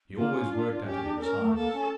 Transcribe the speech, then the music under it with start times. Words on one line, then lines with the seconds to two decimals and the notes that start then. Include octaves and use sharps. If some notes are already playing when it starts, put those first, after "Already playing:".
He always worked at it in silence.
0.17 A#3 F4
0.35 C#4
0.51 D4
0.68 D4
0.85 C#4 G4
1.03 D4
1.20 C#4 A#4
1.38 A3
1.55 A#3 A4
1.73 C#4